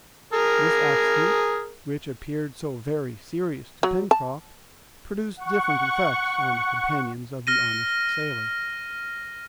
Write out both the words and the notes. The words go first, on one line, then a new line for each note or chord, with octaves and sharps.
This accident, which appeared so very serious to Pencroft, produced different effects on the companions of the honest sailor.
G#4 A#4
F#3
A5
F#5 C#6
F6 A#6 D#7